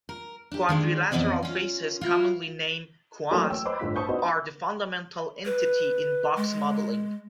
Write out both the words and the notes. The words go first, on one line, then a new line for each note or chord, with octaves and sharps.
Quadrilateral faces, commonly named "quads", are the fundamental entity in box modeling.
A#4
D4 G4
D#3 G#3 D4
F2 E3 B3 D4 D5 D#5
C#4 F4
E4 F4
E3 F#3 A3 A#3 C#4 E4
C#5 G5 E6
B4 C5 D#5 C6 D6
G1 A2 F4 B6
C5 A5 B5 C#6 D#6 G6
B3 D4 D#4 F#4 B4 C5
B4
G#3